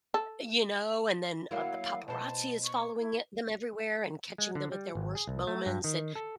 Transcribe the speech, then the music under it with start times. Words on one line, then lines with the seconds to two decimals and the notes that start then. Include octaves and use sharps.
You know? And then, uh, the paparazzi is following it them everywhere and catching them at their worst moments and
0.14 A4
1.51 F#3 A#3 E4 F5
2.08 B2 C5 A5
2.64 C#6
2.99 E4
4.38 G#3
4.55 D3
4.72 G3
4.95 G#1
5.15 G#4
5.27 C2
5.47 A3
5.66 G2
5.84 D#3
6.15 A4